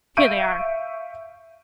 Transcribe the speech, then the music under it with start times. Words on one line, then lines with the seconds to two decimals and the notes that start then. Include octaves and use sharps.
Here they are!'
0.17 E5 F5 C#6 G6 D7 D#7